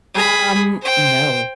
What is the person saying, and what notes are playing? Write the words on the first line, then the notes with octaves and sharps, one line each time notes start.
Um, no.
G#4 B5
C5 G5